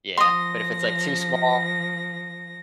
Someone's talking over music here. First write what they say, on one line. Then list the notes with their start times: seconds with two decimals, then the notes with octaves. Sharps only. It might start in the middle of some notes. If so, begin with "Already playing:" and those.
yeah, but if it's, like, too small,
0.17 F3 C6 D#6 A#6